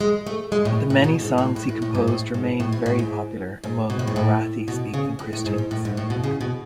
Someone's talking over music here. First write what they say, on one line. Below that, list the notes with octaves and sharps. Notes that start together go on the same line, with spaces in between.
The many songs he composed remain very popular among Marathi speaking Christians.
G#3
A3
G#3
A2
A2
B2
G#2
A2
A2
A2
A2
G#2
A2
G#2
A2
B2
A2
G#2
G#2
B2
A2
G#2
A2
B2
C#3
A2
A2
G#2
G#2
A2
G#2
A2
B2
C#3
B2